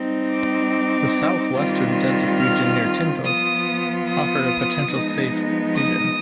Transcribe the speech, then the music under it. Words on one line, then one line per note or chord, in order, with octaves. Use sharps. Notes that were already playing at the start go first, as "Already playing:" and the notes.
The south-western desert region near Tindouf offered a potential safe region.
Already playing: G3 C4 D#4
D6
D#3 G3 C4 F4
F6
F3 B3 F4 D#6
D#6
F3 G#3 B3 D#4
D#6